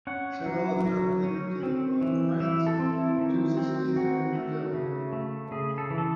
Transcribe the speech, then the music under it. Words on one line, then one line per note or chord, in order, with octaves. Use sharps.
Several others are pretenders to the thrones of France, Two Sicilies, and Brazil.
C#4 F#5
F#3
F#3
C#4
C4
E3
E3 E5
A4
C4
E4
D#3
C4
D#3 F#4
A3
C#3
A3
C#3 G#4
A4
E3
A4